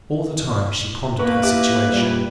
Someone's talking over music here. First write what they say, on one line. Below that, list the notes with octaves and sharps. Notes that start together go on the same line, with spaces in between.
All the time, she pondered her situation.
A#3 B3 A#4 B4 C#6
E4 G4 E5 D6 F#6
A#2 G3